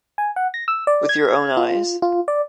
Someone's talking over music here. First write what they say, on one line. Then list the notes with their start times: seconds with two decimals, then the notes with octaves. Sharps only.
With your own eyes?
0.18 G#5
0.36 F#5
0.54 A#6
0.68 E6
0.87 D5
1.09 G#6
1.57 F4
2.02 F4
2.28 D5